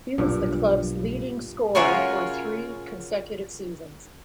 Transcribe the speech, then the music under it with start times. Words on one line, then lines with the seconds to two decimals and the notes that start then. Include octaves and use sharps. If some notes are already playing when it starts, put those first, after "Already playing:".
He was the club's leading scorer for three consecutive seasons.
0.18 B1 G2 A#2
1.75 C#3 F4 F#4 A#4 C#5 G#5